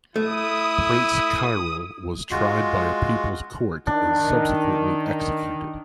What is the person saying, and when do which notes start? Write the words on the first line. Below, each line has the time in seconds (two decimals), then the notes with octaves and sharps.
Prince Kyril was tried by a People's Court and subsequently executed.
0.16 A3 E4 D#6
2.31 G#3 F4 F#4
3.87 D#3 D4